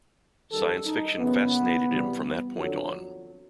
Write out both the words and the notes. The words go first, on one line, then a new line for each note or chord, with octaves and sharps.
Science fiction fascinated him from that point on.
F#2 D#3 G3 A4
D#4
F#2 C#3 E3 B3
E2 C3 E3 G3
F2 D3 F#3